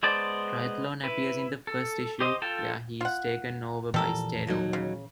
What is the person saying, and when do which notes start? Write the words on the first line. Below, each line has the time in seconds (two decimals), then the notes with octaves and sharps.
Triathlon appears in the first issue where he is taken over by Starro.
0.03 G#3 B3 C5 D5 A5
1.04 E4 B4
1.67 A4
2.20 G4 C5 D#5
2.42 F4 A4 G5 A5
3.01 F4 F#5
3.94 A#2 E3 F3 G3 A4 A#4
4.47 D#2 F#3 D#4
4.73 C#3